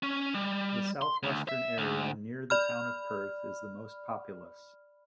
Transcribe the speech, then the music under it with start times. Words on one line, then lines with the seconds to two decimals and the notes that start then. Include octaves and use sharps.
The south-western area, near the town of Perth, is the most populous.
0.03 C#4
0.34 G3
1.02 C6
1.23 D2
1.49 E5
1.78 D2
2.50 D5 B5 F6